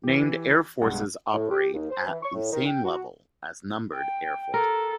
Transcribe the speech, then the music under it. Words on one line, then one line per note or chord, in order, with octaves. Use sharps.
Named Air Forces operate at the same level as Numbered Air Forces.
E3 G4
B1 G2 G#3 F#5
A2
G4
D#2
C5
E3
C#6
A2
D#3
G5
F#4
G5
A4 A#4